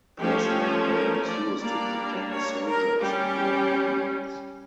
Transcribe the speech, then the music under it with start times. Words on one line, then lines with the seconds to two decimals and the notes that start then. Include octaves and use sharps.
Personal armour is used to protect soldiers and war animals.
0.20 F3 A3 C#4 G4
0.91 A#4
1.26 D5
1.60 G3 A#3 D4 D5
2.31 C#5
2.66 A#4
3.01 G3 C#4 G4